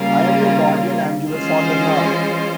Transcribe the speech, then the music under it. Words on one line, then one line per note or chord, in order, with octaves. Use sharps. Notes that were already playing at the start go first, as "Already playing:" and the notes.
I am your guardian and your father now.
Already playing: C#3 G3 A#3 F4
E3 G#3 C#4 F4 C5